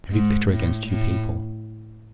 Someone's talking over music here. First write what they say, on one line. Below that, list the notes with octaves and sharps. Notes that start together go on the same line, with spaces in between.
He's very bitter against you people.
G#2
A2
A2